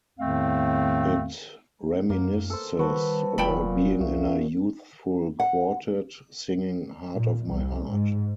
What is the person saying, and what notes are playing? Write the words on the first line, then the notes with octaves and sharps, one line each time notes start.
It reminisces about being in a youthful quartet, singing "Heart of My Heart".
E2 A2 D#3 A3 C4 F5
F#2 A#3
A4 C5
D#3 G3 F#4 B4 C5 A5
F1 A#2 F#3 F5 G5 A5 B5
C2 C#4 E5 F5
F#5
A#2
C2
G#2